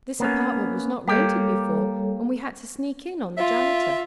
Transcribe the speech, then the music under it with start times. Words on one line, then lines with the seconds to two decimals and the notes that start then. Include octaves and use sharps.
This apartment was not rented before and we had to sneak in on the janitor.
0.20 A#3 B3 C#4
1.08 G3 A#3 G4 A4 C#5
3.37 F4 E5